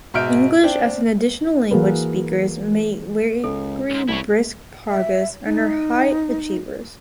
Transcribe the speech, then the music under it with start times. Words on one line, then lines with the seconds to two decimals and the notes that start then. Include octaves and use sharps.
English as an additional language speakers make very brisk progress and are high achievers.
0.14 G#2 B2 E5 F6 G6 D7
0.63 C4 D4 G5
1.71 E3 A#3 F#4 G#4 A#4 B4
3.44 C#2 A4
3.90 C2 G#2
4.08 C2 E4 C#5
4.90 E5
5.45 D#4